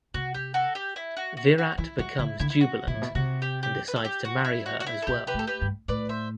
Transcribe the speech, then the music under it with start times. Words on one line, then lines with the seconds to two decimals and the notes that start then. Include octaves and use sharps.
Virat becomes jubilant and decides to marry her as well.
0.14 C3 F#4
0.34 G4
0.54 F#4 A4
0.75 G4
0.96 E4
1.17 F#4
1.37 F#4
1.58 F#4
1.78 E3 E4
1.98 F#3 F#4
2.19 D3 E4
2.40 D3 E4
2.50 E4
2.61 F#4
2.87 B2 E4
2.94 A2
3.01 B2
3.15 C3 F#4
3.42 G4
3.63 G4
3.88 B4
3.96 A4
4.05 G4
4.25 F#4
4.45 E4
4.66 F#4
4.80 F#4
4.86 E4
5.02 A4
5.07 B2 G4
5.27 G4 B4
5.34 A2
5.39 A4
5.47 G4 B4
5.61 G2
5.88 A2 B4 D5
6.09 C5 E5